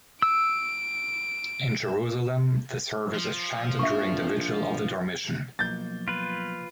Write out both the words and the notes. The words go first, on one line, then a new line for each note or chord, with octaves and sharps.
In Jerusalem, the service is chanted during the Vigil of the Dormition.
E6 D7
F3
A#1 E5 C#6
B1 F3 A#3 G6 A6
F4 B4